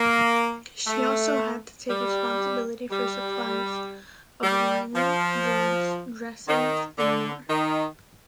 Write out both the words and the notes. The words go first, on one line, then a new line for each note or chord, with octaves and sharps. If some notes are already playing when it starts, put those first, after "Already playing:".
She also had to take responsibility for supplies of linen, drugs, dressings and more.
Already playing: A#3
A3
G3
G3
G3
F3
D#3
D3
D#3